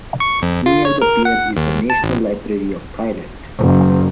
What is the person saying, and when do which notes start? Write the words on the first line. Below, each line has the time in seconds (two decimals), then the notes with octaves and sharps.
Near the pier is the National Library of Thailand.
0.20 C#6
0.42 F2
0.66 F4
0.85 C#5
1.01 A#4
1.25 F#5
1.57 D#2
1.90 A5
2.03 A1
3.59 F#1